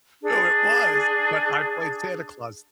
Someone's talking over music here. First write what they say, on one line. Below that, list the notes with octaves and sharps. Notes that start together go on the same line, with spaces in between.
Oh, it was, but I played Santa Claus
D4 G#4